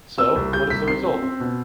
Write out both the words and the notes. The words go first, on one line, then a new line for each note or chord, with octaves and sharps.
So, what is the result?
C4 E6
C2
G3 G6
C2 B6
C4 C7
C4
C4
B2